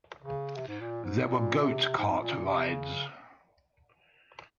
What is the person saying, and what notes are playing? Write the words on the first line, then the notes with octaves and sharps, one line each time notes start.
There were goat cart rides.
C#3
C3
G#2
A#2
G#2
A#2
C3
G#2
A#2
C3
C#3